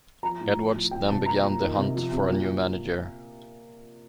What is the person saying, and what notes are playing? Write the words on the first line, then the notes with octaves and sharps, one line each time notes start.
Edwards then began the hunt for a new manager.
F3 A#5
A2
F3
F3
F3 G5
C3 A5
A#2 A#5
A#2
D#3
C3
F3
C3
A#2